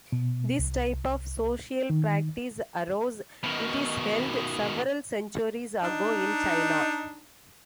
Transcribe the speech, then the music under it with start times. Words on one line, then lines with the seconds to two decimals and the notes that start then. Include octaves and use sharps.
This type of social practice arose, it is held, several centuries ago in China.
0.12 B2
0.59 C2
1.90 D#3
3.44 B2 D#3
5.83 D4 D#4